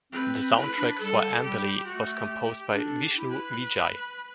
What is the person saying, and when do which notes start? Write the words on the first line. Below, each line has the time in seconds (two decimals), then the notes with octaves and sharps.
The soundtrack for Ambili was composed by Vishnu Vijay.
0.12 C4 B4
0.34 C4
0.56 E4 B4
0.78 D4
1.00 G3 A4
1.43 G3 G4
1.86 A3 F#4
2.15 G4
2.44 G4
2.72 D4 A4
3.01 G4
3.16 E4
3.30 B4